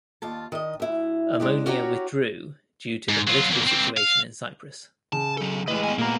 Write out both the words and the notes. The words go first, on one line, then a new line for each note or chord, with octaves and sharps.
Omonia withdrew due to the political situation in Cyprus.
D#2 F4 A5
D#3 D#5
D2 E4
G#3 D4 G4
C#4 F#4 G4 C#5 F#5 A#5
G#2
F#3 F4
E2 A#3
A#3 C4
F5
C#3 A5
F#3 A4
A2 G#3 G4 B4 D#5
B3 G#5
A#2 A#3 B3 A#4